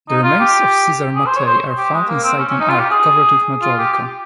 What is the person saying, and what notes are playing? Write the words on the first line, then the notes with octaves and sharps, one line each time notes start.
The remains of Cesare Mattei are found inside an ark covered with majolica.
D#4
F4
G4
G#4
C5
C#5
C5
G4
G#3
A#3
C4
C#4
C#4
D#4
F4
G4
G#4
F4
G4
G4